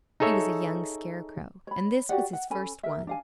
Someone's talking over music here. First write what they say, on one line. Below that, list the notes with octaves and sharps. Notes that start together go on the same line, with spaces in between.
He was a young Scarecrow, and this was his first one.
D#4 G#4 A4 C#5 E5
C#5 B5
F#4 G4 D5 F#5
F#5
C#4 A4 G#5 B5
A#4 E5
D4 F5 G#5